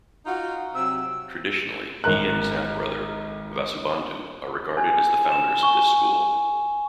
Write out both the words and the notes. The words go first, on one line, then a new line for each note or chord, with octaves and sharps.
Traditionally, he and his half-brother Vasubandhu are regarded as the founders of this school.
D#4 F4 F#4
C3 F#3 E6
G#1 A#4 A#5 F#6
G#5
E7
G#5 C#6 G7